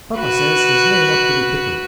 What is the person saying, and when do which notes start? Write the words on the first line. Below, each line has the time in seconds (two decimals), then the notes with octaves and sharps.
"Papa says his name ought to be Pickle."
0.19 F#4 B4